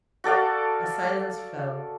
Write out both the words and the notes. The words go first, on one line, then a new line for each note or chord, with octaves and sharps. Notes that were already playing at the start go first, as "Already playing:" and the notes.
A silence fell.
F#4 A4 D5 F5